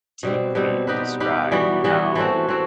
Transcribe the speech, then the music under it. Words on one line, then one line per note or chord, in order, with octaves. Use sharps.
deeply described how,
B2 G3 C4
B2 G3 C4
B3 D#4 G4 B4
B3 D#4 G4 B4
E3 G3 B3 F#4
E3 G3 B3 F#4
E3 A3 C4 F#4
E3 A3 C4 F#4